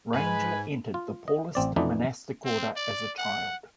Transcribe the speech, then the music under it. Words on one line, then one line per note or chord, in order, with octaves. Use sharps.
Ranger entered the Paulist monastic order as a child.
G#2 G#3 B4 G#5
F4
D#5
A1 C4 D5
F2 E3 A3 B3 D4 D#4
C4
D5
F#5